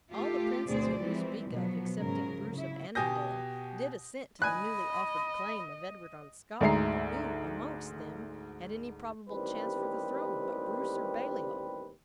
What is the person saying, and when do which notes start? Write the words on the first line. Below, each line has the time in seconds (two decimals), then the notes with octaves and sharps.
All the princes whom you speak of, excepting Bruce of Annandale, did assent to the newly offered claim of Edward on Scotland; but who, amongst them, had any probable chance for the throne, but Bruce or Baliol?
0.12 A3 F4 G4 A4
0.66 D2 B2 C4 G#4 C5 D5
0.99 E3 F3 G3 G#3 C4
1.50 B2 F3 F#3 B3
1.98 G#2 C#3 F#3 G#3 A#4
2.52 C#3 E4
2.95 B2 G4 G#5 D#6 G6 A#6
4.42 D#5 G#5 B5 F#6
6.61 D2 G#2 G#3 E5 A#5 C7
9.29 A1 D#2 G3 C4 B4